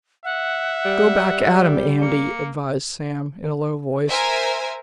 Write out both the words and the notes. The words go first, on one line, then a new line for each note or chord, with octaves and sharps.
"Go back at him, Andy," advised Sam, in a low voice.
E5 F#5
G3
A#3 C#7
A#4 C5 E5 G#5